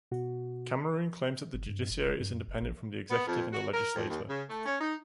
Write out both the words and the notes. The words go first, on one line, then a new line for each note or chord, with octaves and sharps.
Cameroon claims that the judiciary is independent from the executive and the legislature.
B2 F#4
G1
G2
F#1
E1
G2
F#2
F#1
A1
B3
F2
F#4
A#4
F2
D#2
C#3
A3
C#4
D#4